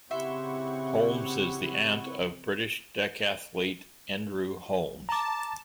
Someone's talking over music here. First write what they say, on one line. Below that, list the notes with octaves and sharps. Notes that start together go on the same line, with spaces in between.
Holmes is the aunt of British decathlete, Andrew Holmes.
C#3 C4 E4 G4 E5 F#5 C6 C#6
A5 A#5 D6